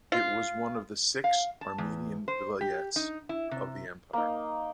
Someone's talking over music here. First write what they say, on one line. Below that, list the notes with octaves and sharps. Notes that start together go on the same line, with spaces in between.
It was one of the six Armenian vilayets of the Empire.
F4
F5
A5
E2
C5
G4
D#4
E4
C3
A#3 D#4